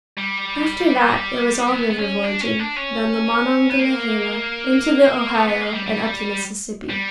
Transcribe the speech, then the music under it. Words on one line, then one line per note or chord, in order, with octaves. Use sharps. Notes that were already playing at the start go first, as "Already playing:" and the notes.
After that it was all river-voyaging, down the Monongahela into the Ohio, and up the Mississippi.
G3
B3
B3
C#4
D4
C#4
D4
C#4
B3
A#3
B3
B3
A#3
G3
G3
G3